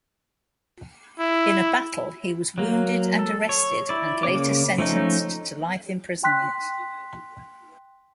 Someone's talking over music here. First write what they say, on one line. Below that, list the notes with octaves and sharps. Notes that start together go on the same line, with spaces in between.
In a battle he was wounded and arrested and later sentenced to life imprisonment.
E4
F#3 A#3
A4
C#5
E4 D5
C#3 A#3 C4 C#5 D6
F3 A3 C#4 D#4
G5 C6 F#6 B6